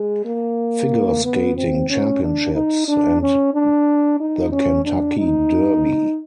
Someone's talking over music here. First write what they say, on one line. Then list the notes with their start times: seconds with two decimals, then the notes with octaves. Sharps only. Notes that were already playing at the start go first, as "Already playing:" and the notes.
Figure Skating Championships and The Kentucky Derby.
Already playing: G#3
0.25 A#3
1.24 B3
1.57 C4
1.90 C#4
2.23 D4
2.56 D#4
2.88 D4
3.22 C#4
3.54 D4
4.20 D#4
4.52 C#4
4.85 D4
5.19 D#4